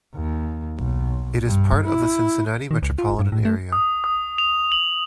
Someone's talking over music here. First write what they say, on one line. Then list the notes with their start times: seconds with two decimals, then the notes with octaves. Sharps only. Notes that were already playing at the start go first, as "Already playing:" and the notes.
It is part of the Cincinnati metropolitan area.
0.15 D#2
0.78 B1
1.46 G2
1.86 E4
2.71 D#3
2.83 C#2
2.98 F4
3.19 G2
3.32 A2
3.45 A3
3.73 D#6
4.04 D#6
4.38 F7
4.72 F#7